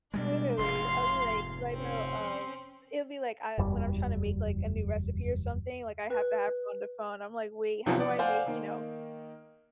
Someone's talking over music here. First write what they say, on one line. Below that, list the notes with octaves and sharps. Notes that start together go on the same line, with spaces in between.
Literally. I'll be like 'cause I know, um, it'll be, like, I when I'm trying to make, like, a new recipe or something, like, I have to have her on the phone, I'm like, "Wait, how do I make, you know,
B2 G3 G#3 D4
F1 G#2 C3 F5 C6
C4 C#4
F#1 E2 G3
B4
B1 C3 E3 F3 B3
D5
C5 D5 F5 F#5 G#5
D#3 A#3